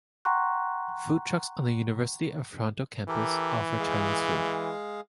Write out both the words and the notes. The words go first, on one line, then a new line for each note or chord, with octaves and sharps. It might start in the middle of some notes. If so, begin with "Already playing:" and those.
Food trucks on the University of Toronto campus offer Chinese food.
F#5 G5 A#5 C6 C#6 F#6
E3 G4 A4 A#4
G#3 G#4 F5